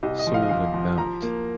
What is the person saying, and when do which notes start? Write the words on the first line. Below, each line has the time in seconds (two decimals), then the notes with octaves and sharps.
Sole and Mt.
0.03 C2 D#5
0.19 D#5
0.27 F3
0.34 F5
0.42 D#5
0.49 F3 F5
0.74 F3
0.98 F3 A#5
1.22 A#3